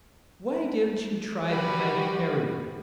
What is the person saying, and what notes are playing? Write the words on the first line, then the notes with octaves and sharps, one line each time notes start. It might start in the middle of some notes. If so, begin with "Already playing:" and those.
"Why don't you try the Hyperion?"
F3 G3 F#4 B4